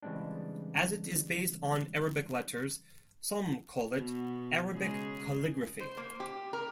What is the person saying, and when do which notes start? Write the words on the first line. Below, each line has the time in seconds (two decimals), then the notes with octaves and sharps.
As it is based on Arabic letters, some call it "Arabic calligraphy".
0.03 C#3 E3 G3 G#3 C4 D4
3.94 B2 B3
4.72 C#3 G#3 G#4
5.80 C5
5.97 A#3
6.20 G4
6.53 A#4